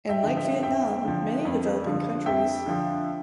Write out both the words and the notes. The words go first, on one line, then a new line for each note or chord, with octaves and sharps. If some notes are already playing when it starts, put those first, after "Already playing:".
And like Vietnam, many developing countries.
E5 G5
D3 F3
E5 G5
F2 E5 G5
D3 F3
F2
D3 F3
F2 E5 G5
D3 F3